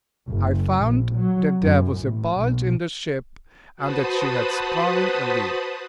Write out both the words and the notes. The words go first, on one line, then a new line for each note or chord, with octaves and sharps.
I found that there was a bulge in the ship, and that she had sprung a leak.
F#1
A#1
F#3
F#2
A1
B1
F#4 B4 C5 A5 B5 D#6